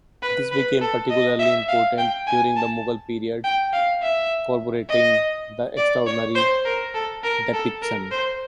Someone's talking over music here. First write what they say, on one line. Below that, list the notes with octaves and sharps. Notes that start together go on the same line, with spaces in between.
This became particularly important during the Mughal period corroborating this extraordinary depiction.
B4
B4
A4
D#5
E5
F5
G5
G#5
A5
G5
F5
E5
D#5
D5
C#5
C5
A#4
A4
A#4
A4
A#4
C5